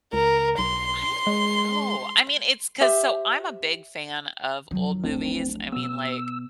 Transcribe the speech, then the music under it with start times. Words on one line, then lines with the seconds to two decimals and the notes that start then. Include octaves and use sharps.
I don't know, I mean, it's 'cause so I'm a big fan of old movies, I mean, like,
0.13 C#2 A#4
0.58 B1 C6
1.27 G#3
2.81 G4 C5 E5
4.71 F2 F#3
5.04 D1 B1 A3 C4 D4
5.72 B2 B3 E6